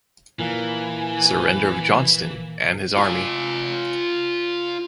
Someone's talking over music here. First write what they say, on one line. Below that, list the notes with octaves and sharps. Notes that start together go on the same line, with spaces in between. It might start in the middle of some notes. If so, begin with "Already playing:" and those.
Surrender of Johnston and his army.
A#2 E3 A#4 F5 G#5
F4 G#5